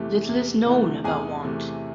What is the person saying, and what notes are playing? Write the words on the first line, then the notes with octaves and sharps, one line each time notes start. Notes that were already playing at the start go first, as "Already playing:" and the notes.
Little is known about Wand.
Already playing: E2 C3 E3 A3 G4
E2
C3 E3 A3
E2 G#4 G#5
C3 E3 A3